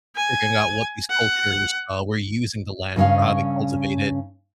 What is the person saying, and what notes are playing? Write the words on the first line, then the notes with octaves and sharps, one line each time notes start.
figuring out what these cultures, uh, were using the land for, how they cultivated,
G#5
F#5
G2 C#3 F#3 C#4 F5